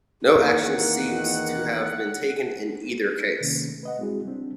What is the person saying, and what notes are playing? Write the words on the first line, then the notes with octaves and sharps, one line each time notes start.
No action seems to have been taken in either case.
E2 D#3 A#3 A#4 F#5
C3 D#3 A#3 C#4
A3
B4 D#5 F#5
G3 G#3 C4 E4 F#4 G#4
G3 C4 D4